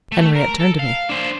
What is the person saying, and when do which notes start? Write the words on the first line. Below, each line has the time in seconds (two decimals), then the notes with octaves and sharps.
Henriette turned to me.
0.12 A3
0.35 A#4
0.59 A4
0.79 F5
1.09 D4 C5